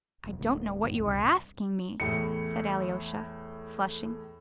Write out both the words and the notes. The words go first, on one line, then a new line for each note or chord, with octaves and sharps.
"I don't know what you are asking me," said Alyosha, flushing.
E1 F2
D1 D2 G#3
F#2 A2 D#3
C#2 G2 C3
E2 A2 C#7